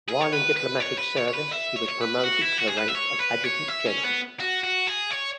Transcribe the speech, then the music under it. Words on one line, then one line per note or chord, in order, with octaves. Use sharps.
While in diplomatic service he was promoted to the rank of Adjutant General.
G#4
C#5
B4
B4
C#5
B4
C#5
C#5
B4
E5
C#5
C#5
B4
F#4
E4
F#4
G#4
B4
E5
C#5
B4
C#5
E5
C#4
B3
F#4
F#4
G#4
C#5